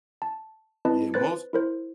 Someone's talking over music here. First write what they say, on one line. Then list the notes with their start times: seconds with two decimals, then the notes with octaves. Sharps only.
Yeah, most
0.22 A5
0.85 C4 E4 B4 D#5 A5
1.14 B4 C5 F#6 A6
1.53 E4 A#4 C5